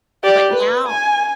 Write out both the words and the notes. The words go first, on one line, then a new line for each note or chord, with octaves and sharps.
but now
G4 D5
B4
G#5